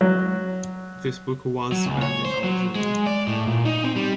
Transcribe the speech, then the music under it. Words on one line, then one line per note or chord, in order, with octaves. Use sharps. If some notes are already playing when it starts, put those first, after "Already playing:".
This book was banned in Algeria.
F#3
F#3
C#2
C#5
C5
F#3
G#3
D5
A2
A#2
D#4
C4
G3